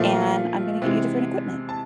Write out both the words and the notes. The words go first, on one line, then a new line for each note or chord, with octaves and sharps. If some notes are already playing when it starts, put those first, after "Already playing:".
and I'm gonna get you different equipment,"
Already playing: A#2 F3 A3 F5
C3 E3 G#3
A5